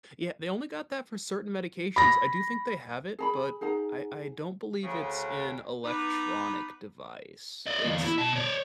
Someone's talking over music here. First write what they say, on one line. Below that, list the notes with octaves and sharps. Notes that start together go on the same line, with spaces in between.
Yeah, they only got that for certain medications. I do think they have it, but I I don't believe it's an electronic device. It's th
B5 A#6
G#4 A#5 B5
D#4 G#4 F#5 A#5
D2 C#3
B3 D#4 B4 D5
D5 D#5
E2 A#3
E4
B2 A5
C#5 D5